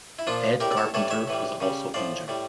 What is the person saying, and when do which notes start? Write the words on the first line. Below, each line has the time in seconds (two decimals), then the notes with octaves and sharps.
Ed Carpenter was also injured.
0.19 E4
0.27 A#2 F3 D4 F4
0.60 A2 G3 G4 A#4
0.71 D5
0.77 A4 C#5
0.94 A2 E3 G3 A4 C#5
1.10 C#5 E5
1.27 A2 E3 G3
1.60 C#3 G3
1.94 A2 F3 D5 F5
2.28 A2 G3